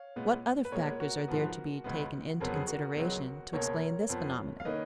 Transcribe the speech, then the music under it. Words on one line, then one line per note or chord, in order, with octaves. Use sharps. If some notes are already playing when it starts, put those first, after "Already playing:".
What other factors are there to be taken into consideration to explain this phenomenon?
Already playing: C#5 F5
A#2 G#3 B3
B4
A#2 G#3 B3 A#4 C#5
F#4 A#4
G#2 F3 B3
C#2 C#3 G#3 B3
F2 C#3 F#3 B3 A#4
G#4
F#4 A#4
C#2 C#3 F#3 B3
C#2 B2 A#3 C#4 A#4 C#5
F2 F3 B3
F5
D#3 A#3 C#4 B4 D#5